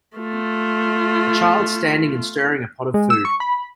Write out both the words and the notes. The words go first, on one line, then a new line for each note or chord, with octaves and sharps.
A child standing and stirring a pot of food.
A3 F4
G#3
E6
C#6
B5